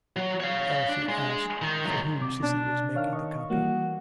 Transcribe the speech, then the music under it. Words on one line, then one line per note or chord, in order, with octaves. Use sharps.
Elsie asked for whom Cissy was making the copy.
F#3
C#5 F5
D4
G#3
D#3
G#2 F#3
C3 D6
B2 D4
D#3 C#5 F5 F6
D#5 C#6
E3 G3 A#3 F#4